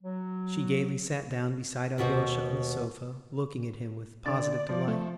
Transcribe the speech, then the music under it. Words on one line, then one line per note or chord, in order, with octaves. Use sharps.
She gayly sat down beside Alyosha on the sofa, looking at him with positive delight.
F#3
D#2 B2 B3 F#4 C5
D3 D5
F3
A3